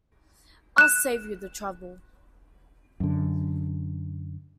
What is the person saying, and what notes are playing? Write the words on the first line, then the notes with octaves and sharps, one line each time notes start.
I'll save you the trouble.
F#6 E7
F#2 D3